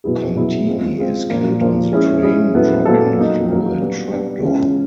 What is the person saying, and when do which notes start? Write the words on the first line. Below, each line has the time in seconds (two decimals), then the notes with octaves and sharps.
Contini is killed on the train, dropping through a trap door.
0.04 B2 F#3 B3 E4 G#4
0.36 B2 F#3 B3 E4 G#4
0.67 G#3 C4 F4 G#4
0.98 G#3 C4 F4 G#4
1.30 A#2 F3 A#3 D4 F4
1.61 A#2 F3 A#3 D4 F4
1.91 G#3 C#4 E4 G#4
2.23 G#3 C#4 E4 G#4
2.54 A#2 F#3 B3 E4 A4
2.85 A#2 F#3 B3 E4 A4
3.17 F#3 A#3 D#4
3.49 F#3 A#3 D#4
3.80 G3 B3 D4
4.12 G3 B3 D4
4.42 C#3 E3 G#3 C#4 F4